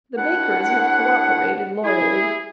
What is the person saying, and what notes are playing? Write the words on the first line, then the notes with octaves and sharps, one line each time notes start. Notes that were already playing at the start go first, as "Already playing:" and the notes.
The bakers have co-operated loyally.
D#2 D4 E4 F#5
E4 G#4